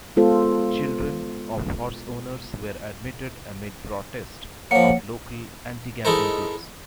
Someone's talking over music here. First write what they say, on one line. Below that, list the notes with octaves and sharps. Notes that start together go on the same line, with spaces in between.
Children of horse owners were admitted amid protest of local anti-gambling groups.
G#3 B3 F4 A4 C5
F3 A#3 C#5 F#5 C#7
G#3 D#4 E4 A4 A#4 C5